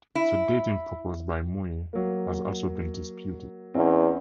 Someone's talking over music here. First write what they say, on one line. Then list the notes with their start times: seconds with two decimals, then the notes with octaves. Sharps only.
The dating proposed by Muir has also been disputed.
0.15 E4
1.93 F#3 A#3
3.74 E2 C4 C#4 D#4